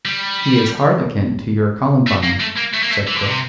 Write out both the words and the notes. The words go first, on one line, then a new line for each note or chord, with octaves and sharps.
"He is harlequin to your columbine," said Crook.
G3
A3
A#3
A3
A#3
A3
A#3
A3
E3
D3
C3